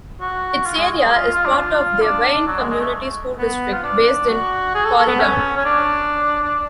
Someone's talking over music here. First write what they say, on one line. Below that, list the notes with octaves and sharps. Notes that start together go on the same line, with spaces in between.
Its area is part of the Wayne Community School District, based in Corydon.
F#4
F4
G#3
G#3
F4
F4
D4
F4
D4
F#3
G#3
G#3
A3
B3
F4
D4
F#4
G#4
A4
A4
B3
C#4
C#4
D4
D4